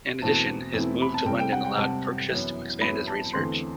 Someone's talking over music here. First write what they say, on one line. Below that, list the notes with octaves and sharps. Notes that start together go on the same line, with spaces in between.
In addition, his move to London allowed Purchas to expand his research.
E2 B2 A3 C4 E4 A5
E2 B2 A3 C4 E4
B5
A5
C3 G3 C4 G5
G5
F#5
G5
C3 G3 C4 A5
F#2 E3 B3 E4
F#2 E3 B3 E4 B5
A5
E2 D3 A3 C4 C6